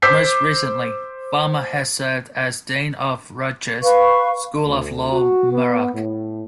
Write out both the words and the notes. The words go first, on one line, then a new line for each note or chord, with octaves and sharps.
Most recently, Farmer has served as Dean of Rutgers School of Law-Newark.
C5 D6 E6 G6 B6 C7
B4 F5 C#6
D2
F#4
B3
A2